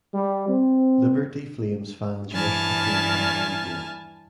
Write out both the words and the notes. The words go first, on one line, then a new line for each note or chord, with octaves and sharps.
Liberty Flames fans rushed the field after the game.
G3
C4
G2 E3 G#5 A5 F6